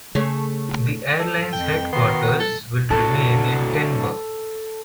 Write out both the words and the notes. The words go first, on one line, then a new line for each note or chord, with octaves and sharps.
The airline's headquarters will remain in Denver.
C#3 A3 G#4 C#5
A4
F2 G5
D#3 B3 F#4 C6
A4
D2 A#2 F#3 D#4 A4